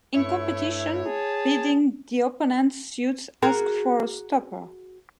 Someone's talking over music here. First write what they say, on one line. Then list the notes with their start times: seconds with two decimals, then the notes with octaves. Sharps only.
In competition, bidding the opponent's suit asks for a stopper.
0.15 G2 A3 E4 C#5
1.06 G#4 A5
3.42 F#4 G#4 A#4